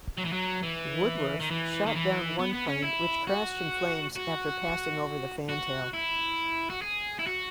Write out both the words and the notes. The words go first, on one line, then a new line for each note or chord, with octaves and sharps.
"Woodworth" shot down one plane which crashed in flames after passing over the fantail.
F#3
E3
F#3
E3
D#3
E3
D#3
E3
B3
B3
C#4
E4
F#4
F#4
F#4
E4
F#4
G#4
E4
F#4